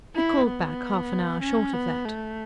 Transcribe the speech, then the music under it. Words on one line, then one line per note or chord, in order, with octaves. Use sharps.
He called back half an hour short of that.
E4
B3
C#4
B3
A3